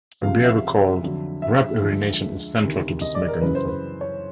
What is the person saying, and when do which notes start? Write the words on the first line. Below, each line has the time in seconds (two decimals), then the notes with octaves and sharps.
A behavior called "rub-urination" is central to this mechanism.
0.23 C#2 C3 F3 F5
0.43 E5
1.02 F2 D3 F#3
1.42 E5
1.81 D2 D3 F3 G#3
2.62 D2 C3 D#3
3.02 D#5
3.15 D5
3.28 A#4
3.41 F#2 C#3 E3 B4
3.55 C5
3.68 B4
4.01 C#5